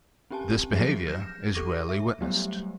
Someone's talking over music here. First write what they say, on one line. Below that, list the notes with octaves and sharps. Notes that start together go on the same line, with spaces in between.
This behaviour is rarely witnessed.
C4 C#4 G4 G#5 A5
F3 F#3 G4 G#4 C7
F6 G6 A#6 E7
G4 A4 C#6 D6 A#6 D#7
E5
F#3 G3 A3 B3 G4